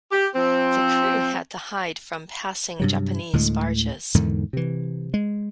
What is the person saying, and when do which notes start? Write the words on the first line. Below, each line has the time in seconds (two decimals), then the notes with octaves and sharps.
The crew had to hide from passing Japanese barges.
0.11 G4
0.35 F3 C4
2.80 G2 C3 F#3
3.33 D2 A2 D3 G#3
4.14 E2 G#2 D3 D#3
4.53 C3 E3
5.14 G#3